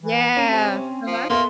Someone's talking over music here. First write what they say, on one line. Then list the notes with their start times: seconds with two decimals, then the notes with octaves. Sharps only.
Yeah. Uh-huh.
0.01 E3
0.37 C4 C#4 D#7 E7
0.51 C3
1.07 F3
1.30 D#2 A#3 B3 A4 E5 C6